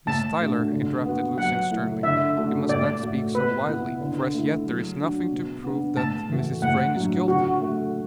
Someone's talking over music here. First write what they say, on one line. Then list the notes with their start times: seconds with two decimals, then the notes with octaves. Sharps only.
"Miss Tyler," interrupted Lucian sternly, "you must not speak so wildly, for as yet there is nothing to prove that Mrs. Vrain is guilty."
0.07 A2 A5
0.40 A3 D4 F#4
0.72 D3
1.05 B3 F#4
1.38 F#3 F#5
1.71 A3 E4
2.03 D3 E5
2.37 A3 D4 F#4
2.69 A2 D5
3.02 A3 F#4
3.35 B2 B4
3.68 B3 E4
4.01 D3
4.33 A3 E4
4.67 F#3
4.99 D4 F#4
5.32 B2
5.64 B3 D4
5.96 A2 A5
6.30 E3 A3 F#4
6.62 A2 F#5
6.96 F#3 D4 F#4
7.28 D3 F#4
7.61 A3 F#4